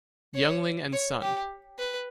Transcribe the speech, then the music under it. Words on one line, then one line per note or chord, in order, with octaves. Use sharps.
Yuengling and Son.
C#5
C#5
G4
B4